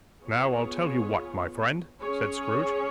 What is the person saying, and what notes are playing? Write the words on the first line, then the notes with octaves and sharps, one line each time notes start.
'Now, I'll tell you what, my friend,' said Scrooge.
B3 F4 G#4 C#5
C#4 G#4 C#5